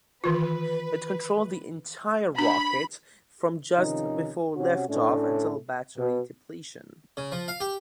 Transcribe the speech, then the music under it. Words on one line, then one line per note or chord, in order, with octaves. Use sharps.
It controlled the entire rocket from just before liftoff until battery depletion.
D#3 E3 F4 B4
D4 B5
C3 D#3 F3 C#4 D#4
C3 C#4 F#4
A2 A3 C#4 D4
B2
C#3
F3
F5
G4